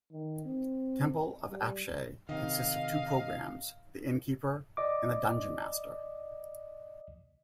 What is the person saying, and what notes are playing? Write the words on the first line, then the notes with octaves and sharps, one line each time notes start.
"Temple of Apshai" consists of two programs; the Innkeeper and the Dunjonmaster.
D#3
C4
G3
C3 D#3 D#5 F5
D5 D#5 D6